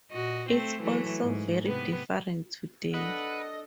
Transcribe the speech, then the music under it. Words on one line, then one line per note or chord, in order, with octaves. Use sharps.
It's all so very different today.
A#2 F#4 D#5
A3 C4 C5
E3 F#3 A3
G#2
C3 B3 B4
D4 A4 B4 D#5 F#5